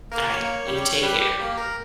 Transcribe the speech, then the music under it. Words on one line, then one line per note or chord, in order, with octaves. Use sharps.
Alright, you take care.
A#3 A#4
A#3 C#5
G3
G3 B4
G4
A#3 G4
A#4